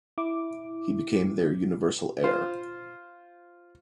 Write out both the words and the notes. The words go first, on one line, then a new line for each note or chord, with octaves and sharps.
He became their universal heir.
E4 D6
F4 C5